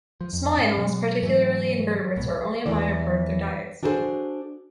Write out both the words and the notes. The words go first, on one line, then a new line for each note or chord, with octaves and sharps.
Small animals, particularly invertebrates, are only a minor part of their diets.
F3
F2
G#2 C#4
B2 F#3
G#2 E3 F#3 A3
C2 G#2 B2
E2 E3 D5
D4 F#4 G#4 A4 B4 C5